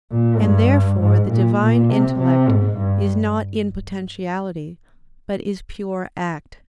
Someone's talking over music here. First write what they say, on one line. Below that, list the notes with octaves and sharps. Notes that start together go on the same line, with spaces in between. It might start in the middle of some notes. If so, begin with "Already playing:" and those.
And therefore the Divine intellect is not in potentiality, but is pure act.
A#2
G2
G#2
A#2
A#2
C3
C3
G#2
G2